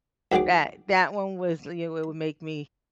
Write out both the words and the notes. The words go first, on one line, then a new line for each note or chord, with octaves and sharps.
That that one was you w would make me
D2 D#3 F#3 G#4 D6